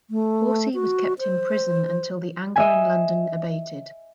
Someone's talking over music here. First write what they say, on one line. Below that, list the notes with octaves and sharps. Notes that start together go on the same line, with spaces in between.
Horsey was kept in prison until the anger in London abated.
A3
F#4
C5
D#5 E5 G#5